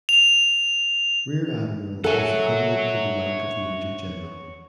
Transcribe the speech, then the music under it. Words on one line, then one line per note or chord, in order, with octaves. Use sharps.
Rear admiral is equivalent to the rank of major general.
F7
A4 C#5 E5 F#5 G#5